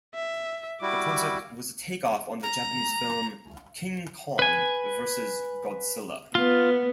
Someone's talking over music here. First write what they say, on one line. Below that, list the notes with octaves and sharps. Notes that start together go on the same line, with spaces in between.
The concept was a take-off on the Japanese film, King Kong Versus Godzilla.
E5
G3 E4 F#4 D6
A#5
B4 G#5
B3 F4